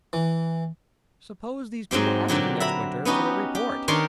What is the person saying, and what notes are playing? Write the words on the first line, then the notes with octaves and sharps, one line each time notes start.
"Suppose these people ask you next winter for a report?"
E3
G#2 F#3 C4 G4
A#2 D3 F#3 G4
E5 A#5 B5
B3 C#4 D#4 F#4 G4
G4
D#3 D4 G4 A#4 C#5 C6